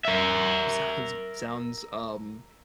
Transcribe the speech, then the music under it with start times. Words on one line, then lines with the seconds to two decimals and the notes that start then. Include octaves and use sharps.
Sounds sounds, um
0.05 A#4 E5